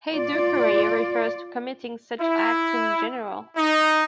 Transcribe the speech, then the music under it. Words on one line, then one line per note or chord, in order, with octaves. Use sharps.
"Haydukery" refers to committing such acts in general.
F4 D5
E4
D#4